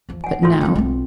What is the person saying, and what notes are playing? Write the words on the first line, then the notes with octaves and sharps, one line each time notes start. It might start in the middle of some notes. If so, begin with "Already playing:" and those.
But now?
E2 F3
F#5 G#5
A#1 A2 F4 A4 C6
D3 G3 G5
B1 C4